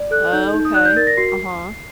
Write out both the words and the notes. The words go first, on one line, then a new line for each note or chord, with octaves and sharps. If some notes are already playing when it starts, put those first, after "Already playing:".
Okay, uh-huh.
Already playing: D5
A4 F#6
D#4 G6
D#4
D#6
D5 F#6
G6
A#4 A6
A#6
F#4 C7